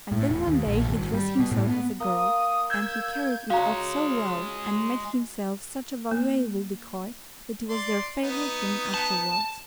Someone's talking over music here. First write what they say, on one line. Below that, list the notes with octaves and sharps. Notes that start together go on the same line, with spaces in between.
And then one day he dressed himself as a girl, and he carried it off so well, and made himself such a valuable decoy, that it was their favourite game afterwards.
A2
E1
D#2
A#1
G#1
G3
B2
A2
B3
A#3 D#6
E6 G6 G#6
G#3 F#4 C#5 F5 A#5
A#3
D5 C6
B3 D#4
A5